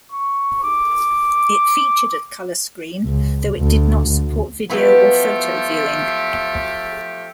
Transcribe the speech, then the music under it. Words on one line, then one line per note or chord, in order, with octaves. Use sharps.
It featured a color screen, though it did not support video or photo viewing.
C#6
D6
C#2
D2
D2
F3 F#3 A3 B3 E4 G4